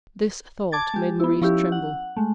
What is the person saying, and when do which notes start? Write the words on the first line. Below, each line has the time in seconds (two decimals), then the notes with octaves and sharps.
This thought made Maurice tremble.
0.72 A5 D6 G#6 A6
0.94 G#3 G4
1.20 B3 E4
1.42 F3 C#4 E4 G4
1.72 F#5
2.17 G#3 A3